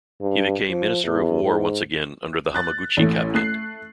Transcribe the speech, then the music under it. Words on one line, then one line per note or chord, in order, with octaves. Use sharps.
He became Minister of War once again under the Hamaguchi cabinet.
G2
F3
E2
G#2
F#6 A6
A1 E3 A3
A3 F#6 C7